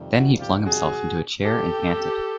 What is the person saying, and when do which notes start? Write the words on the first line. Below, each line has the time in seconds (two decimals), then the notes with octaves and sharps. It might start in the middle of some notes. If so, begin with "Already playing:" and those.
Then he flung himself into a chair and panted.
Already playing: F2 C3 D#3 G3
0.12 E4 F#4
0.38 F4 G4
0.65 F#4 G#4
1.43 G4 A4